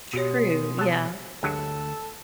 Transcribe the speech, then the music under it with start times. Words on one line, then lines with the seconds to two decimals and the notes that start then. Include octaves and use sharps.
True, yeah.
0.13 B2 G#3 F#4 G4 C#5
0.78 F#3 A5
1.43 D2 G2 F#3 G#3 A4